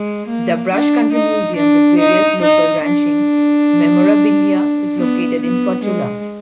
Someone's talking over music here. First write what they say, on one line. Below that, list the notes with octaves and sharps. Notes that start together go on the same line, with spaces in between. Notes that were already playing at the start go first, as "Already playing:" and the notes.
The Brush Country Museum, with various local ranching memorabilia, is located in Cotulla.
Already playing: G#3
A#3
D4
D#4
D4
D#4
D#4
D4
B3
B3
G#3